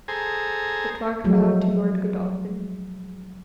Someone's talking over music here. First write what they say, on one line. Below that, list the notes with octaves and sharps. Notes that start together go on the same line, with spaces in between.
The Clerk bowed to Lord Godolphin.
G#4 A4 C5 G#5 A#5
F3 F#3 G#3 A3